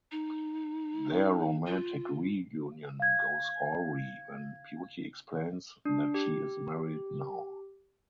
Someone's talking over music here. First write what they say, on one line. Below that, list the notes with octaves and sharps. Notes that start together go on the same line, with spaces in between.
Their romantic reunion goes awry when Beauty explains that she is married now.
D#4
F4
F5 G#6
D4
G4